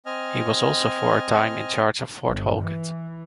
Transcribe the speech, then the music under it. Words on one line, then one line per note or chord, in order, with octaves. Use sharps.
He was also for a time in charge of Fort Halkett.
C4 D#5 G#5 F6
G1
E3